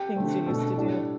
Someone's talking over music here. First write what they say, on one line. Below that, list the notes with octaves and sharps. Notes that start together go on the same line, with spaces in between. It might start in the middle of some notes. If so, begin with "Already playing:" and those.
things you used to do.
Already playing: G4
D3 A3 C4
B2 A3 D4 A4
A2 G3 D4